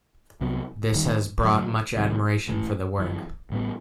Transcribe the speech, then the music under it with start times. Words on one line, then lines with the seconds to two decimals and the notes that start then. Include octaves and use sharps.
This has brought much admiration for the work.
0.41 C2 C3 F#3 B3
0.92 E1 D#2 D#3 G3
1.44 G1 F#2 F#3 A3
1.95 C2 C3 D#3 G3
2.47 A1 A2 E3
2.98 G1 F#2 E3
3.50 A1 A2 G3 B3